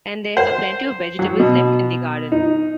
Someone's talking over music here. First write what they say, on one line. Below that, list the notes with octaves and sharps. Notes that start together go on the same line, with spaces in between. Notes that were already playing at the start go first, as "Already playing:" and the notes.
And there are plenty of vegetables left in the garden.
C5
F#3
B2
D#4